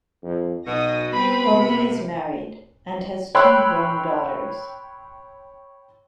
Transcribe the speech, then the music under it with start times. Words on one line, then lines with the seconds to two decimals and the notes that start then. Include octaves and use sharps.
Covey is married and has two grown daughters.
0.24 F2
0.66 B1 B2 D#6 A#6
1.13 G3 B3 C4 B4 B5
1.51 C3
3.35 C#5 G5 B5 C6 E6 F#6